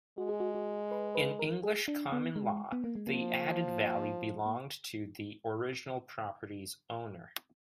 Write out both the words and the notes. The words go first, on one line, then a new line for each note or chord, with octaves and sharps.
In English common law, the added value belonged to the original property's owner.
G#3 F#4
G#4
F#4
F#4
B4
B4
A#4
G#4
D4
B3
G#3
B3
A#3
G#3
F3 A#3
A#3